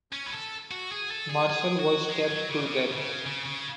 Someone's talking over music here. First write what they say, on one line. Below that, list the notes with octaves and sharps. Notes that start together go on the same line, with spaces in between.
Marshal, was stabbed to death.
C#4
B4
A4
F#4
G#4
A4
G#4
G#4
F#4
G#3
F#3
C#3
C#3
B2
C#3
C#3
C#3